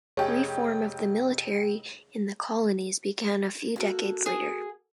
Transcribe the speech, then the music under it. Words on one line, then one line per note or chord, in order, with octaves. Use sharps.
Reform of the military in the colonies began a few decades later.
F1 G4 G#4 C#5
A#3 F#4 A4
G#4